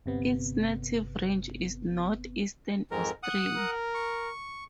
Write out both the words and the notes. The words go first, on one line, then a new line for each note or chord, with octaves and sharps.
Its native range is Northeastern Australia.
G1 C3 B3
F2 G#2 A#4
F#5 D#6
A#4
C#6